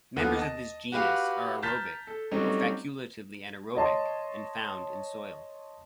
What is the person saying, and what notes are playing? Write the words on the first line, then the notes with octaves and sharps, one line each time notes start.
Members of this genus are aerobic or facultatively anaerobic and found in soil.
D#2 D3 B3
D#5 A5
F#4 G4 B4 F5 F#5
A5 A#5 F6 G6 A6 B6
A4
F#3 G3 A3 C4 C#4 D#4
C#5 D#5 A5 C6